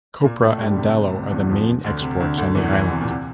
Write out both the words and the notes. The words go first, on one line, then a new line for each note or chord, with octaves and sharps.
Copra and Dalo are the main exports on the island.
A#2 A#3
A2 A3
G2 G3
D3
C3
C3
E2 E3
F2 F3
D2 D3
C3
D2 D3
D2 D3
E2 E3
E2 E3
C3
A#2
C3